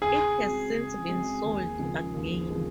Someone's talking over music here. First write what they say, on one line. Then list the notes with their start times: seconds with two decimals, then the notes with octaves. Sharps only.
It has since been sold again.
0.02 C#3 G#4
0.37 G#3 C4 F#4
0.73 C#3
1.09 G#3 C4 F#4
1.44 D#2
1.79 C#3 F3 G#3
2.14 D#2
2.50 C#3 F3 G#3